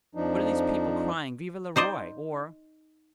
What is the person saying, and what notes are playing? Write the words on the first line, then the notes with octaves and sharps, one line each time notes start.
What are these people crying 'Vive le Roi!' for?
F2 F3 D4 D#4
D#4 C5 D5 D#5